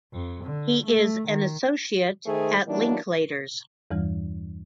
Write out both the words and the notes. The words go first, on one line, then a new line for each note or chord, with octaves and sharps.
He is an associate at Linklaters.
F2
D3
A3
D#3
D#3 A3 G#4 C5
E3 F#3 G3 A#3 D4 D#4
E2 G2 E3 G3